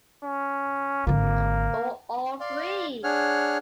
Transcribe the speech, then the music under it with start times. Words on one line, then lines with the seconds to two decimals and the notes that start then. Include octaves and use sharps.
Or all three.
0.24 C#4
1.07 G#1 D3 A#3
2.40 D5 F5 C6
3.04 D4 G#4 C#5 F#5 F6